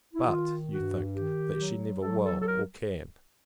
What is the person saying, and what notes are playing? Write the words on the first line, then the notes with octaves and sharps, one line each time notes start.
But, you think, that she never will, or can.
E4
D#3 F4
G2 F#4
D#3 G4
F#3
F#3 A4
A4
A4
A#4